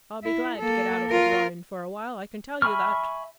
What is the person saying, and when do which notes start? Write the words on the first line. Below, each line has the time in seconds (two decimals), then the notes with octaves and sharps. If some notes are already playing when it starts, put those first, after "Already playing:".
I'll be glad to get out of the grind for a while, I can tell you that.
0.23 E4
0.58 A#3 A4
1.10 F4 A#4
2.62 E5 G#5 B5 C#6 F6